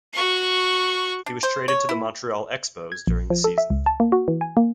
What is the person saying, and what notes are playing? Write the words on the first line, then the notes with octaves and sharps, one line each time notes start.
He was traded to the Montreal Expos during the season.
F#4 C#6
D4
C5
C#5
E4
G#6
A#1
F3
A4
E5
C#2
A5
A#3
F#4
E3
G#5
A#3